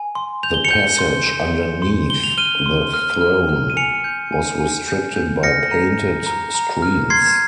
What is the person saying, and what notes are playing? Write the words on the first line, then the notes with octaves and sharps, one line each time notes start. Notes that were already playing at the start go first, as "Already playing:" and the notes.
The passage underneath the throne was restricted by painted screens.
Already playing: G#5
C6
G6 F7
G7
C#7 F7
G6
C6
C6
C6
C6
C6 G7
F7
F6 D#7 G7
C6
F6
F6
F6
D#7
G#5 C#7 F7
G6
G#5
G#5
G6
G6
F6 A#6 C#7
A#5
A#5
A#5
A#5
F6
C6 G#6 C7